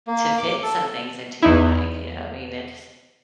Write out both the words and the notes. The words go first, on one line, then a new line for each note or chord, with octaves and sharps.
to fit some things into your life, you know, I mean, it's
A#3
D6
A4
E2 D#4 E4